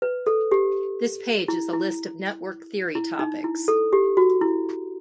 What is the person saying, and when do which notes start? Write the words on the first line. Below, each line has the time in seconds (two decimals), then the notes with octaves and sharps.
This page is a list of network theory topics.
0.02 B4
0.27 A4
0.52 G4
1.48 E4
1.73 E4
2.95 E4
3.19 D#4
3.44 E4
3.68 A4
3.93 G4
4.17 F#4
4.41 E4